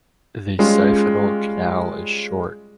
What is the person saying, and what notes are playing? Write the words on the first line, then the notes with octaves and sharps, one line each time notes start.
The siphonal canal is short.
G3 G#3 C#4 F4